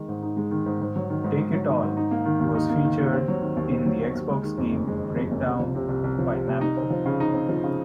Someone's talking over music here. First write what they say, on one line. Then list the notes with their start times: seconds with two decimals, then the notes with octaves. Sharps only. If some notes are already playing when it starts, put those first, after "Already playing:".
"Take it All" was featured in the Xbox game "Breakdown" by Namco.
Already playing: D#3 G#3 D#4
0.09 G#2
0.23 D#4
0.37 G#3
0.51 D#3
0.66 G#2
0.81 G#2
0.96 F#3
1.10 D#3
1.24 G#2
1.38 G#2
1.53 F#3
1.68 D#3
1.83 G#2
1.97 D#4
2.11 A#3
2.26 D#3
2.40 D#2
2.55 D#4
2.70 A#3
2.84 D#3
2.99 D#2
3.13 C4
3.28 F#3
3.42 D#3
3.57 D#2
3.72 C4
3.86 F#3
4.00 D#3
4.15 D#2
4.29 G#3
4.44 D#3
4.58 F2
4.73 F#1
4.87 G#3
5.02 D#3
5.16 F2
5.31 F#1
5.46 C2
5.59 F3
5.75 C3
5.89 C2
6.04 C2
6.19 F3
6.33 C3
6.48 C2
6.61 D#4
6.77 C4
6.90 F3
7.06 C#3
7.20 D#4
7.34 C4
7.49 F3
7.64 C#3